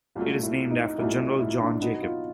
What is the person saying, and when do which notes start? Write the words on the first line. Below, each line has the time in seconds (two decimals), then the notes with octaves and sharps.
It is named after General John Jacob.
0.15 C2 A#2 F#3 A3 F4
0.43 E4
0.71 D#4
0.98 C2 A#2 F#3 A3 E4
1.40 E4
1.60 D4
1.82 B2 F#3 B3 D#4
2.02 F4